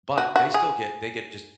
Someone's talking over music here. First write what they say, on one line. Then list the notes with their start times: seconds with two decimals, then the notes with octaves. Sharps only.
but, they still get they get, just
0.18 F#4
0.36 F#4
0.54 G#4